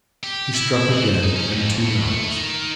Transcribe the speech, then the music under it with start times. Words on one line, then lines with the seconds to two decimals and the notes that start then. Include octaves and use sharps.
He struck again, and two knocks.
0.24 G4
0.55 E4
0.92 E3
1.08 C5
1.23 D#4
1.36 C#4
1.51 F2
1.80 A2
2.10 A3
2.27 D#3